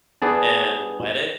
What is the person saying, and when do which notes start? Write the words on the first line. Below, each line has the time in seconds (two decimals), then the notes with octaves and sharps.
and wet it,
0.22 B3 G#4 D5 A5